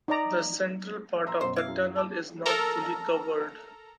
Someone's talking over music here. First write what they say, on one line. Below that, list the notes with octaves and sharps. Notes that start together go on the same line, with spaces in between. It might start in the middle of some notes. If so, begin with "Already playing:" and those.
The central part of the tunnel is not fully covered.
D#4 D5 A#5
A#5 C6 E6
F#2 B2 C5
E4 F5
F#2
A5 D6
A4 A#4 A#5